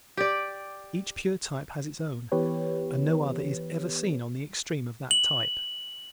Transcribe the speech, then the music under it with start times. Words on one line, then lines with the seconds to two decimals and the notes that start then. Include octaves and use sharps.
Each pure type has its own and no other is ever seen on the extreme of that type.
0.17 G4 D5
2.32 E3 B3 G4 B4 C#5
5.11 F#7